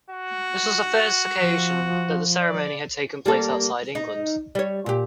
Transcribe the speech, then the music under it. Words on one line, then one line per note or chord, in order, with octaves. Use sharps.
This was the first occasion that the ceremony had taken place outside England.
F#4
F3
D5
G3 A#3 A4
D#4
G3 C#5
A#2 G4